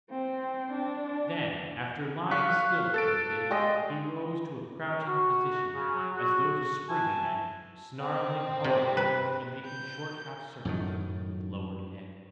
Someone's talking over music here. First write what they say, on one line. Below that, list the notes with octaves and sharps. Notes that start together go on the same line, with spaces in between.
Then, after lying still for a bit, he rose to a crouching position as though to spring again, snarling horribly and making short half-circles with lowered head.
C4
D4
F5 C#6 F#6 B6
A4 A6 D7
G#3 D#5 G5
C#4 A#4
F#4
C#3 G#4
F#3
F#4
E5 G#5 A5
C4
C3
B4
G6
F#2 A2 D#3